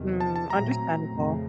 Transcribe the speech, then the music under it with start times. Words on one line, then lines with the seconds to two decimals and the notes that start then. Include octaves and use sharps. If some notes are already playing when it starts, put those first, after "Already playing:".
Hmm, understandable.
Already playing: E2 C3 D#3
0.20 A5
0.36 A5
0.50 A#2 F#3 A3 C4 A#5
1.10 F2 C#3 F3 A3 C4